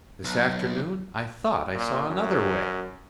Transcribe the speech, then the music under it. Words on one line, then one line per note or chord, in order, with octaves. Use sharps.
This afternoon I thought I saw another way.
B1
A#2
F#2